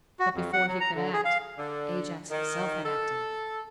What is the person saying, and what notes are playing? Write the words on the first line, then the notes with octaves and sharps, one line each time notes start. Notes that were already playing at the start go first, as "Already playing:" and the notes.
But before he could act, Ajax himself had acted.
F#4
F2
F#5
F#3
A#5
D3
G#4
F5
D3
D#3
A4